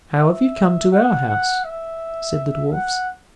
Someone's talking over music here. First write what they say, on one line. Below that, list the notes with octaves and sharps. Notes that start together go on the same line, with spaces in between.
"How have you come to our house?" said the dwarfs.
E5
F#5
F#5
E5
F#5